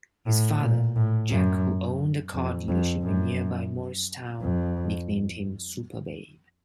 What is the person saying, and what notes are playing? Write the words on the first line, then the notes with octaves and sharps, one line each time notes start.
His father, Jack-who owned a car dealership in nearby Morristown-nicknamed him Super Babe.
A2
A#2
A2
F#2
F2
F2
F#2
F2